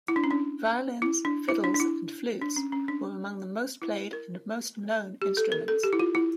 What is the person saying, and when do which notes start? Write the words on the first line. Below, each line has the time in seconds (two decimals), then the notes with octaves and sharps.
Violins, fiddles, and flutes were among the most played and most known instruments.
0.08 E4
0.16 D4
0.24 C#4
0.31 D4
1.02 E4
1.25 D4
1.49 E4
1.64 D4
1.74 D4
1.80 E4
2.42 D4
2.56 C#4
2.72 C#4
2.88 D4
3.82 E4
4.13 A#4
5.22 G4
5.37 A4
5.52 A#4
5.68 A4
5.83 G4
5.93 E4
6.00 F4
6.15 E4